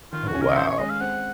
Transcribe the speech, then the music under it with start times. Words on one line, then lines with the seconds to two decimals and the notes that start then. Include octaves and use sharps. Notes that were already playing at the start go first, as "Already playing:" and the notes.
Oh, wow.
0.13 D#3 F4
0.27 F#4
0.35 C#4
0.41 A#4
0.56 C#4 C5
0.68 C#5
0.78 G#3 D#5
0.90 F5
1.00 C4 F#5